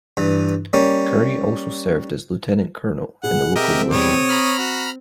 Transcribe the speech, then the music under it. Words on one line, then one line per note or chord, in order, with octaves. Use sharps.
Currie also served as Lieutenant-Colonel in the local militia.
G2 E3
G3 A#3 C#4
B2 G#4 F#5
C4 G4 A#4 D#5 E5
E2 G3 C#5 D#6
A#5 B5 F6
F#4